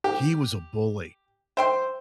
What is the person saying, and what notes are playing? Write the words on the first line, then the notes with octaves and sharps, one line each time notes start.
he was a bully.
G4
C5 E5 G5 C6